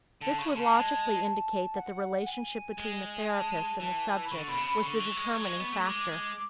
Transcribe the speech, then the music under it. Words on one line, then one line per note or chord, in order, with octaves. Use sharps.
This would logically indicate that the relationship between the therapist and the subject was the determining factor.
D3 A5
C#3 C#6
C#3 A5
G#3
F#5
G#5
G#3
A5
E3 A5
B5
D3 C#6
C#6
B2 B5
C#3
B5
D3 C#6
E3
G#3
F#3
G#3
B3
A3
G#3 D6